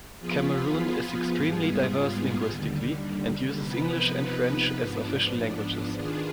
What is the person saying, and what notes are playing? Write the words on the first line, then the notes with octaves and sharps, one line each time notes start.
Cameroon is extremely diverse linguistically and uses English and French as official languages.
F3 B3 F4 G#4 B4
G#2 G3 B3 F4 G#4
D#2 D3 G3
C3 F3 B3 D#4 B4
G#2 F3 B3 D4
D#3 B3 D4 F4 G#4